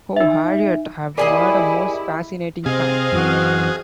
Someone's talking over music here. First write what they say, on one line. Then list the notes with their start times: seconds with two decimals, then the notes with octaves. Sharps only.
Oh, Harriet, I’ve had a most fascinating time.
0.16 D#4 E5
1.18 E4 G4 G#4 A#4 D5 D#5 G#5 C7
2.66 C3 C4 G#4 D#5 F5
3.12 F#2 E3 F#4